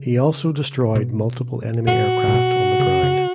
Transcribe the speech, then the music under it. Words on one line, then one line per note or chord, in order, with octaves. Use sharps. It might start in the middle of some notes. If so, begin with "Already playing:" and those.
He also destroyed multiple enemy aircraft on the ground.
Already playing: C#3
B2
A#2 F#4
A#2
B2
C#3
C#3